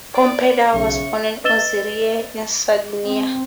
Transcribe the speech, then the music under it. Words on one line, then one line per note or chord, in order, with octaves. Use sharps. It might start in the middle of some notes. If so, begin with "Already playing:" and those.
Pompedda was born in Ozieri in Sardinia.
D5
B1 C#3 E5 C#6
B4 D#5 E6 A6 E7 G7
C4